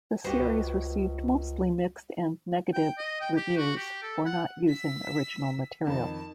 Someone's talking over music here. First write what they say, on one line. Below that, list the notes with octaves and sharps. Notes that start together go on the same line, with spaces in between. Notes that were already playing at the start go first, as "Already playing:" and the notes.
The series received mostly mixed and negative reviews for not using original material.
C#2 G3 F#4 G4 B4 C5 D#5
G5
D#5
G5
G4
F#4
G4
A4
F#5
E6 B6
F2 D#3 A5 B5